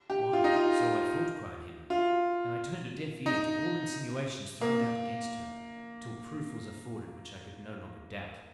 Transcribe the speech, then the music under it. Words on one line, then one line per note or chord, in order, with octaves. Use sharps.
"Why, so I thought," cried Henry, "and I turned a deaf ear to all insinuations thrown out against her, till proof was afforded which I could no longer doubt."
G4
F4
D#4
F4
F4
D#4
A#3